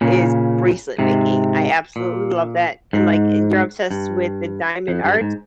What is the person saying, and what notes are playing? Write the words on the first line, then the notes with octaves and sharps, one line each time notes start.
is bracelet making. I absolutely love that, and, like, you're obsessed with the diamond art,
A#2 C#3
G#2 C3
A#2
G#2
G2
F2
G2
G#2